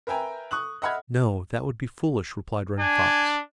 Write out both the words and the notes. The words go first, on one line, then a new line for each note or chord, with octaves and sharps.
"No, that would be foolish," replied Running Fox.
A#4 B4 E5 G5 G#5 A#5
C#6 D#6 F#6 F#7
D#5 E5 F#5 B5 F6 G#6
D4 G#5